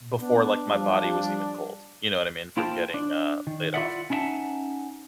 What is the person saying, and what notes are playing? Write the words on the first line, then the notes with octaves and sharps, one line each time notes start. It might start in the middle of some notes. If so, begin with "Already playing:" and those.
before, like, my body was even cold, you know what I mean, from getting, uh, laid off,
B3 D4
F3 G3
A#3 E4 F4 C5 G5 A5
D4
D#3
E4 F4 A#4 D5 E5 F#5
C#4 D#4 E4 E5 F#5 A5